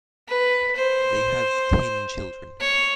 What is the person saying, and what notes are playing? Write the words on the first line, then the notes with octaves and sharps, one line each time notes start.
They have ten children.
B4
C5
C#5